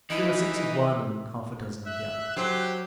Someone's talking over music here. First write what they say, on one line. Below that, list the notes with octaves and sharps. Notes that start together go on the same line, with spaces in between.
We were six of one and half-a-dozen of the other.
E3 D#4 E4 B4 D#5
E5 F#6
F#3 G4 C5